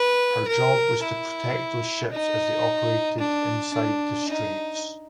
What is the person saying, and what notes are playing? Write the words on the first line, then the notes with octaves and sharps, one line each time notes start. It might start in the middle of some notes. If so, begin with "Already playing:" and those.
Her job was to protect those ships as they operated inside the straits.
Already playing: B4
A#4
E4
D#4
D4
D4
D#4